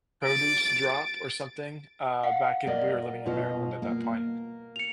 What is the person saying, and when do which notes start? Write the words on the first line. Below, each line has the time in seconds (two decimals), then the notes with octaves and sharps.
produce drop or something, uh, back in we were living in Maryland at that point,
0.24 A6 D7
2.23 F5 F#5
2.67 A#4 D5 D#5
3.26 B2 F4 D#5
3.82 A#3
4.76 C#7 F7